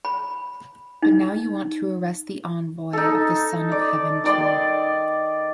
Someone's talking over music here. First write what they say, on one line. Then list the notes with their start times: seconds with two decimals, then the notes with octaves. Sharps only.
But now you want to arrest the envoy of the Son of Heaven too.
0.05 B5
1.02 D#4
2.93 D#4 A4
3.72 D5
4.24 D#3 D5 C6